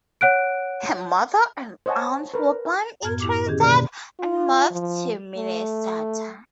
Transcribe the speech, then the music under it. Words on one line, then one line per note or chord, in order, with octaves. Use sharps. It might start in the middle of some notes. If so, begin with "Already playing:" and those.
Her mother and aunt were born in Trinidad and moved to Minnesota.
C#5 F#5 F#6 D7
C5 C#5 D#5 F#5 G#5 A5
A#4 B4
F#2 A2 B3 F6 G#6
E4 G4 D6
D3 D#3 C#4 G4 G#4
B2 A#3 D5
F4
F3
A3